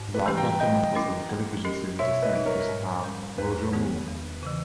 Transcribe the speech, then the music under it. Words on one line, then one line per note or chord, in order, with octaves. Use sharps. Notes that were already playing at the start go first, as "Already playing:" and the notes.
His last performance was for the television series "The Saint" which starred Roger Moore.
Already playing: G#2
B4
E3 G3 C#4 G4
G5 A#5
G3 D#5 G5
C#4 E4 A#4
G#3
C#4 G4 A#4 D#5
B2 C#5 E5
B4 D#5
G#3 D#4
A#4 C#5
G#2
G3 C#4
E2 B4
D#3 G#3 B3 G4
E2
C#3 E3